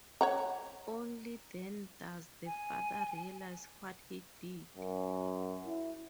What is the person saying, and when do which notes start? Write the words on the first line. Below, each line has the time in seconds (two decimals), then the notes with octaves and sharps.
Only then does the father realise what he did.
0.21 C#5 F#5 A#5
2.46 G#5
4.76 F#2
5.66 E4